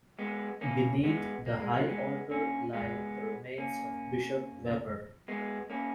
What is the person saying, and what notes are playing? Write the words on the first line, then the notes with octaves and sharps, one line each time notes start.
Beneath the high altar lie the remains of Bishop Webber.
G#3 B3
A#3 C#4
G#3 B3
A#3
G#3
F#3 A#3
G#3 B3
A#3 C#4
G#3 B3
A#3 C#4
G#3 B3
A#3 C#4